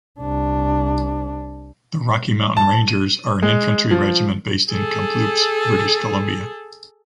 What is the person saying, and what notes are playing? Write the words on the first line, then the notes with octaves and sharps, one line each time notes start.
The Rocky Mountain Rangers are an infantry regiment based in Kamploops, British Columbia.
C2 D4
A5
D#7
G#3
F3
G#4 A4